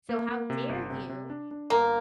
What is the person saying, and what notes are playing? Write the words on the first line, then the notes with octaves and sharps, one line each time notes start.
So how dare you?"
A#3
A#3
C3
G1
C3
C3
D4
D4
G1 A#3